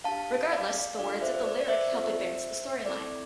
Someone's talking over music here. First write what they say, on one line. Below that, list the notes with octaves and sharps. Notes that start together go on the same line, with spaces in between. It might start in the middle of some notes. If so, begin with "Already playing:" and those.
Regardless, the words of the lyric help advance the storyline.
D4 G4 F5 A5
D5 F5
D4 F4 A4 D5 F5
C5 E5
C5
D5
D5
C5 E5
C4 F4 A4
C4 E4 A4 D5